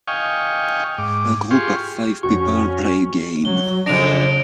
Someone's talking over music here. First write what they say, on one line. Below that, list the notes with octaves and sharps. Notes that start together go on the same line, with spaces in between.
A group of five people play a game.
D#5 F5 G5 G#5 C#6
G#2 D6
F4 G4 G#4 C6 C#6
F2 C#4 F#4 C#6
F#3 G7
F2 C#3 D4 A#6 D7 F7